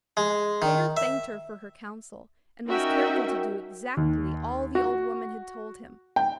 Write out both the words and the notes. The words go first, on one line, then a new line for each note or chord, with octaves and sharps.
Peter thanked her for her counsel, and was careful to do exactly all the old woman had told him.
G#3
D#3
E5
C#4 D#4 F#4 A#4 E5 G5
D#2
F#4
G5